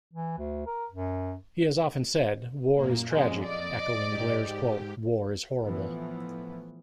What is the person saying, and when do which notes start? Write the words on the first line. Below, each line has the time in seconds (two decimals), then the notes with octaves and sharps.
He has often said "War is tragic", echoing Blair's quote, "War is horrible".
0.13 E3
0.38 D2
0.66 A#4
0.92 F#2
2.75 F#2 A#2 A#3
3.12 F2 G#3 C#4
3.42 D5 D#5
3.77 D6
4.08 G#2 G4
5.63 A2 E3 F3 A3 B3